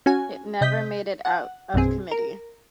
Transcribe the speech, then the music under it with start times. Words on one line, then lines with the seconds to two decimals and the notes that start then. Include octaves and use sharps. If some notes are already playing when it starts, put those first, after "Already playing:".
It never made it out of committee.
0.06 C#4 F#4 G#5
0.61 C3 D#5 G6 B6
1.25 F#5
1.74 A#1 F#2 B2 C4 G#4
2.11 A#4